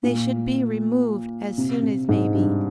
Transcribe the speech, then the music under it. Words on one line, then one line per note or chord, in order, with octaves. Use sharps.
They should be removed as soon as may be.
A#2
C3
C3
G#2
G2